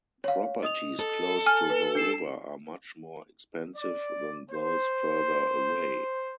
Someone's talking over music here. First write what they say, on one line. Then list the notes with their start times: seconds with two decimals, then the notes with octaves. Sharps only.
Properties close to the river are much more expensive than those further away.
0.24 C#5 F5
0.63 D#5 D#6 F7
0.99 A4
1.46 G#5 F6
1.70 B4
1.95 D4 C7 E7
3.76 D5
4.49 C5